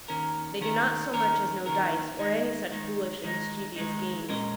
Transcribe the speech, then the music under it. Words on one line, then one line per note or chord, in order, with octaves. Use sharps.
They do not so much as know dice, or any such foolish and mischievous games.
D#2 D#3 C#4 A#4
D#2 D#3 C#4 A#4
D#2 D#3 C#4 A#4
D#2 D#3 C#4 A#4
D#3 G#3 D#4
D#3 G#3 D#4
D#3 G#3 D#4
D#3 G#3 D#4
A#2 G#3 C#4 A#4 D#5